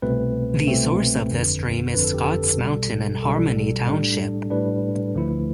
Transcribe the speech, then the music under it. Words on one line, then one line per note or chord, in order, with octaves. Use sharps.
The source of the stream is Scotts Mountain in Harmony Township.
C2 B2 A3 C4 B4
C2 B2 A3 C4
G1 F2 D3
G1 F2 D3 B4
A4
G4
A4
B1 B2 G3
B1 B2 G3 A4
A2 G3 D4
A2 G3 D4 B4
D2 D3 F3 A3 E4